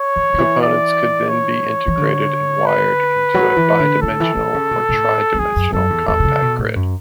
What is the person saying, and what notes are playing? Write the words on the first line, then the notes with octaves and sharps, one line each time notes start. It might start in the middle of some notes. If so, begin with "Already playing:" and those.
Components could then be integrated and wired into a bidimensional or tridimensional compact grid.
Already playing: C#5
E3
D3
E3
D5
C#5
E3
D3
B4
F#3
E3
D3
D3 A4
E3
E3
C#3
B2
B2
A2
F#2
E2 G#4
F#2
F#2 A4
E2
E2 A4
B2
C#3
B2
A2
F#2